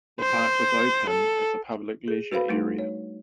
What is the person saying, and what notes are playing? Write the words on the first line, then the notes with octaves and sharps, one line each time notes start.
The park was opened as a public leisure area.
C5
A4
G#4
F#4 B4 C5 F5 B5
G3 A3 D4 D#4
C#5